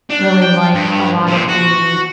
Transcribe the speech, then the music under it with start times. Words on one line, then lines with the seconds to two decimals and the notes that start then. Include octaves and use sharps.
really like a lot of the,
0.10 D4
0.42 G5
0.74 G2
1.27 A#2 C4
1.48 F#4